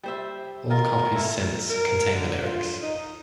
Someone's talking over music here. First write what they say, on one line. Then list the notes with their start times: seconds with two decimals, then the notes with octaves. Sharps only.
All copies since contain the lyrics.
0.03 G3 C5 E5
0.70 D#3 F4 A#4
1.13 A3 E4
1.68 A#4
2.11 D3
2.42 F4
2.82 D#4